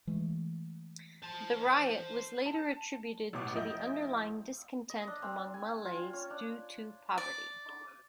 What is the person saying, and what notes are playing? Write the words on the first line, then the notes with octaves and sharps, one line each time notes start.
The riot was later attributed to the underlying discontent among Malays due to poverty.
E3 G#3 A3
C5 A5
A5
A1 B2 D6
F1 E4 D#5 G6
D#5
D4
C4
G#5
F4
C#4
D4
D5